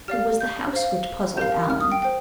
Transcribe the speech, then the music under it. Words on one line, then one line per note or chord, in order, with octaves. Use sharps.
It was the house which puzzled Alan.
G4 D5 F5 F6
G6
C5 F5
G4 A#4 F5 G6
F6
D#6
G5
C5 G5